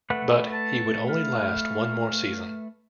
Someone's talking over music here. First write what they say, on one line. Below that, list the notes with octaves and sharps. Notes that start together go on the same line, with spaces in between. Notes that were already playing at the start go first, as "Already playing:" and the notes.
But, he would only last one more season.
A3 B4 F#5
A5
F5